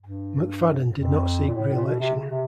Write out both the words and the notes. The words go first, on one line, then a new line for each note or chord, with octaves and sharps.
McFadden did not seek re-election.
G2
F2
A#2
A2
A#2
B2
C3
C#3
C3